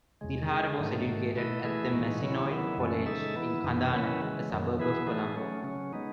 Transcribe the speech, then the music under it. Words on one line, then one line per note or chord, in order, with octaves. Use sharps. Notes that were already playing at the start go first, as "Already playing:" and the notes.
Dilhara was educated at De Mazenod College in Kandana, a suburb of Colombo.
E2 C#3 G#3
C#3 G#3 D#4 G#4
G#2 D#3 F#3 A3 D#4
G#2 D#3 A3
B2 A3 E4 B4 D#5
E3 A3 E4 G#4 B4
A2 E3 G#3 D#4 F#4
C#3 F#3 C#4 E4
D#3 F#3 B3 E4
F#2 E3 A3 C#4
C#3 G#3 D#4 A4 E5
E3 B3 E4
F#2 E3 B3 D#4
D#3 F#3 C#4 E4 B4
C#3 E3 G#3
F#2 D#3 F#3
E3 B3 E4 G#4 B4
E3 A3 D#4 G#4
F#3 A3 C#4
C#3 F#3 C#4
G#3 B3 D#4